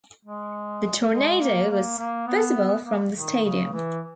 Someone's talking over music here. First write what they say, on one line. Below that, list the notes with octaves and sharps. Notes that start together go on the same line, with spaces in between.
The tornado was visible from the stadium.
G#3
G#3
A#3
A#3
A#3
B3
A#3
D#3
C#3
E3